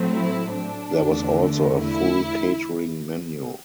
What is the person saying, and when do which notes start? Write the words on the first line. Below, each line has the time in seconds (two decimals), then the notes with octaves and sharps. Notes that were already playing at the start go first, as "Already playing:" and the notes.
There was also a full catering menu.
Already playing: A2 F#3 A3 C4
0.12 E4
0.54 D4
0.97 E2 D3 A3
1.81 E4